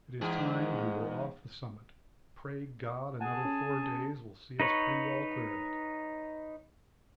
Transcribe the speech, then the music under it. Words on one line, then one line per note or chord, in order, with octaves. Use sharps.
It is time we were off the summit--Pray God another four days will see us pretty well clear of it.
E2 G#2 G#4
G#4 F#5 G#5 A5
C#4
D#4 B4 C#5